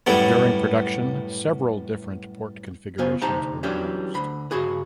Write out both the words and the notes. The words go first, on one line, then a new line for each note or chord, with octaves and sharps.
During production several different port configurations were used.
F#2 A2 G3 B3
B1 C#3 B3 F4 C5 G#5
D2 C3 D#4 G4 A5 A#5
E3 F#3 G3 C#4 D4 G4
D2 D3 B5
G2 C#3 F#4 G#4 B4